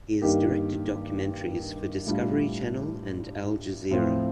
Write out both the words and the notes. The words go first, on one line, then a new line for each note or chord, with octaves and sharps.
He has directed documentaries for Discovery Channel and Al Jazeera.
G2 D#3 A#3 D#4 G4
A2 G3 D4 F4
A2 F3 C4 F4